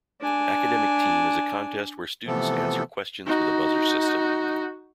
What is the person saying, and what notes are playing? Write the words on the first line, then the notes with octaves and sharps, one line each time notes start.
Academic team is a contest where students answer questions with a buzzer system.
D4 G#5
C3 E3 F3 A3 B3 A4
D#4 F#4